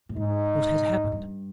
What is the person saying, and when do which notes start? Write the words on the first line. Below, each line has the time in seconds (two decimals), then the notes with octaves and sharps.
What had happened?
0.09 A2
0.16 G#2 D#4
1.04 G#2
1.12 G2